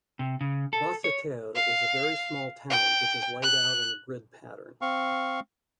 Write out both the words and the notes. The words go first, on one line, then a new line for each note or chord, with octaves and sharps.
Basseterre is a very small town which is laid out in a grid pattern.
C3
C#3
A4
C#5
F5
G5
F#6
C4 F5 C#6